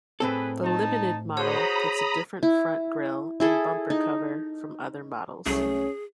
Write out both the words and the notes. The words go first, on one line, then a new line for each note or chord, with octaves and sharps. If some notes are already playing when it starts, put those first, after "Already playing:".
The Limited model gets a different front grille and bumper cover from other models.
A2 C4 G#4 A4 B4
D#4 A5
F#4 G#4 C5 C#5 A#5 B5 D#6
E4
E4 G#4 A4
D#4
C2 F#3 A3 C#4 G#4